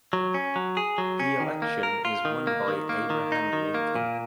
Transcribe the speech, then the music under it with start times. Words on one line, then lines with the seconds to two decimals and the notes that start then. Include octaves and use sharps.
The election is won by Abraham Lincoln.
0.13 F#3
0.34 C#4
0.56 F#3
0.77 G#4
0.98 F#3
1.20 C#4
1.40 D#3
1.62 A#3
1.83 A#4
2.05 F4
2.25 D#3
2.47 A#3
2.68 D#3
2.89 A#3
3.10 D#3
3.32 D#4
3.53 D#3
3.74 A#3
3.95 A#2